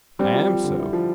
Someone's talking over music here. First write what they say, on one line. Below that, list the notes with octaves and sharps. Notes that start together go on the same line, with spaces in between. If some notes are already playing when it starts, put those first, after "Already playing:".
I am so.
G3 C4
F4
F3
D3
E4
F3